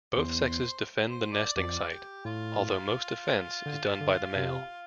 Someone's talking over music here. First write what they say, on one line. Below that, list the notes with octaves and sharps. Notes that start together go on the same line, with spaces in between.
Both sexes defend the nesting site, although most defence is done by the male.
E2 C5
C5
D5
F2 D5
G4
A2 F4
D3
D3
C3